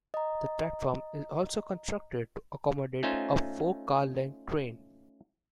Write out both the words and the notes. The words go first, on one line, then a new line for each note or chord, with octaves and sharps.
The platform is also constructed to accommodate a four-car-length train.
D#5 A#5
A3 C#4 D#4 F4 C5